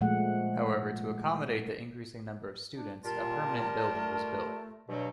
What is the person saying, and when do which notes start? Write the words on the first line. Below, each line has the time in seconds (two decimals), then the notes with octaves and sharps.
However, to accommodate the increasing number of students, a permanent building was built.
0.01 A#2 F3 G#3 A3 F#5
2.74 D4
3.05 A#2 G3 F4 A#4 A5
3.87 A3
4.89 G2 B2 F#3